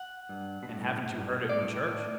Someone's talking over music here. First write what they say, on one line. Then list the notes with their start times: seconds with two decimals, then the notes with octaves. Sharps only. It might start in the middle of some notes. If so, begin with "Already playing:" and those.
"And haven't you heard it in church?"
Already playing: F#5
0.29 G2
0.63 B2
0.69 A2
1.09 G2
1.49 A2 D5